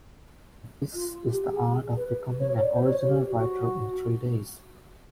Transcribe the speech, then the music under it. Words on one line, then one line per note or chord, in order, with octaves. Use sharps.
That is the art of becoming an original writer in three days.
F4
G4
G#4
B4
C#5
D5
C5
C#5
G4
F#4